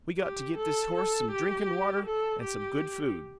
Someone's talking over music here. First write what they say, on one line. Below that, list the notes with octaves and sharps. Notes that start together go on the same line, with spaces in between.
"We got to get this horse some drinkin'-water and some good food."
G4
A4
A4
G4
A4
G4